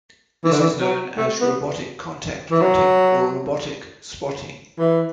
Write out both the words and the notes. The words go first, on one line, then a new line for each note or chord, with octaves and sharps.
This is known as robotic contact printing or robotic spotting.
E3
D3
E3
F#3
A3
B3
E3
F#3
E3